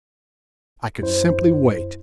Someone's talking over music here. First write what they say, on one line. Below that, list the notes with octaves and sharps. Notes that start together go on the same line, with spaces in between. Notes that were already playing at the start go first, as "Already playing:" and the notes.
I could simply wait.
F#2 E4 C5